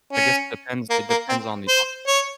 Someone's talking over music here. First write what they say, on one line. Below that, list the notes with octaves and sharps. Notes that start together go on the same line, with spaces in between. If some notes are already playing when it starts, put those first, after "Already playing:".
I guess it depends it depends on the, uh
C#4
A#3
A#3
C4
C5
C#5